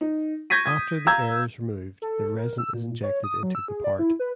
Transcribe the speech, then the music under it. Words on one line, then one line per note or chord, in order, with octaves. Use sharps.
After the air is removed the resin is injected into the part.
D#4
C#6 G6 G#6 A#6 B6 D#7
D#6 G#6
F5 A#5 E6 G6 G#6
A4
A#4
E6
A#2
C#5
D#6
F#3
E6
G#4
D5
E4
B4